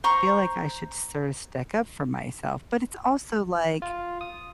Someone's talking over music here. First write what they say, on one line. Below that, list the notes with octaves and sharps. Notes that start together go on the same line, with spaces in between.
feel like I should sort of stick up for myself, but it's also like,
C5 A#5 C#6
F4
D#6